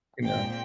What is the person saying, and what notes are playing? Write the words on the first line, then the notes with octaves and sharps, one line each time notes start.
you know?
A#2 G#3 C4 G5